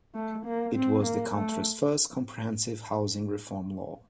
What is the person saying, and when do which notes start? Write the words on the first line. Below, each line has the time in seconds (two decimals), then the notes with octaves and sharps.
It was the country's first comprehensive housing reform law.
0.15 A3
0.45 A#3
0.75 C4
1.03 A#3
1.34 A3